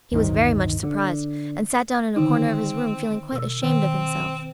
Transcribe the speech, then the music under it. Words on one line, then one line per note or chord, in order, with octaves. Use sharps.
He was very much surprised, and sat down in a corner of his room feeling quite ashamed of himself.
D1 G1 C3 D#3
D3
D3 D#3 C4 D#4
B2 E6
D#3 C4